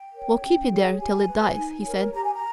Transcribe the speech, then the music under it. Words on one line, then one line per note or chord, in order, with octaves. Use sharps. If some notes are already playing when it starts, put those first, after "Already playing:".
"We'll keep it there till it dies," he said.
Already playing: G5
A#4 C#5
C#4
G#4 C#5
G4 G#5
B4
D#4
A#4 C#5
G4 A#5
G#5
A#5